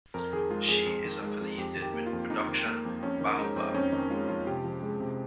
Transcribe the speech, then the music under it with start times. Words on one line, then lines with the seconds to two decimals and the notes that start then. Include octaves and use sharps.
She is affiliated with Production Baobab.
0.14 F2 A#4
0.33 D#3 G#4
0.50 G#3 F4
0.68 F2 G#4
0.86 F2
1.05 D#3
1.23 G#3
1.41 F2
1.58 F2 G4
1.76 D#3
1.82 G4
1.94 A#3
2.06 F4
2.13 F2
2.30 F2 D#4
2.48 D#3
2.66 A#3
2.85 F2
3.02 F2 C#4
3.20 D#3
3.38 G#3 D#4
3.56 F2 C4
3.74 F2 C#4
3.92 D#3 D#4
4.10 G#3 F4
4.28 F2 F4
4.47 C3 G4
4.64 F3
4.83 G#3
5.00 C3